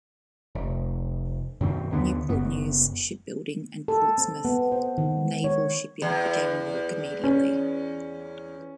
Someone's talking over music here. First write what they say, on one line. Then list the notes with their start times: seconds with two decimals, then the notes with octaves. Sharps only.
Newport News Shipbuilding and Portsmouth Naval Shipyard began work immediately.
0.55 F1
1.61 F#2 B2 D#3 C4
1.91 D#2 D3 A#3 B3
2.29 F#1 F#2 B3
3.88 A4
4.18 C4
4.45 B3
4.72 C5
4.98 D#3
5.17 G#3
5.44 C#5
6.02 E2
7.24 C#4